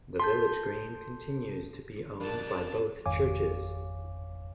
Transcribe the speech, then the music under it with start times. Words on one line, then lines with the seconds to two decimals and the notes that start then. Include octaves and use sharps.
The village green continues to be owned by both churches.
0.20 A4 A5 C6 G6
2.20 F2 F3 D4 A#4 A5
3.06 G#1 F2 C#5 F5 G#5 D6